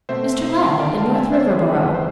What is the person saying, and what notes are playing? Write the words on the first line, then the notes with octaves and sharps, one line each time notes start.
"Mr. Ladd, in North Riverboro."
B2 A3 C4 C5 E5
C5 E5
D3 A3 D4 D5 F5
F5 A5
E5 G#5
C5 E5
E3 G#3 C4 G#4 B4
B4
C5